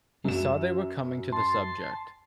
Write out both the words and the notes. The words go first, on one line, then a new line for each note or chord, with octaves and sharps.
He saw they were coming to the subject.
F#2 E7
A5 C6